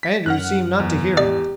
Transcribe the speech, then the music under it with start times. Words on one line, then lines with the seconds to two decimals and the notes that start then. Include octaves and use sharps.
Andrews seemed not to hear him.
0.03 B6
0.26 F#2 F#5 F6 F#6
0.80 E2
1.17 G4 D5